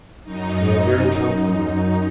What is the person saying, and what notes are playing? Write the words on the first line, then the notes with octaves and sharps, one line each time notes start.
We are very comfortable.
F#2 D#4